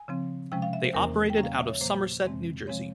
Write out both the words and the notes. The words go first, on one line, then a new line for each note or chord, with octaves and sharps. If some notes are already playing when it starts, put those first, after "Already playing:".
They operated out of Somerset, New Jersey.
Already playing: G#5
C#3 F3 C4
C3 F3 G#3 C#4 G5
F5
E5
C5
E2 E3 A#3 C#4 A#4
G5
C#3 G3 A#3 C#4
F5
E5
C#5
A#2 F3 A#3 C5
F2 C3 E3 G#3 C4
C3 F3 G#3 C4 C#5